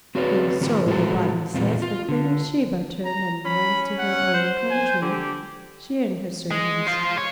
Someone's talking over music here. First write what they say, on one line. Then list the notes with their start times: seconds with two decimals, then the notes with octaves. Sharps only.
And so, the Bible says, the Queen of Sheba turned and went to her own country, she and her servants.
0.15 C4 F#4 G#4 B4 C#5 D5
0.61 D#3 C4 F4 G4
0.86 A2 F#3 G#3 D#4 F#4 A4
1.54 E2 A#2 C4 F4
1.82 F4 F5
2.09 D3
3.05 A#5
3.45 C#4 B5
3.99 F#5
4.34 C5
4.70 G#5
5.02 D3 G4
6.51 G#3
6.87 F4 C5
7.18 C#5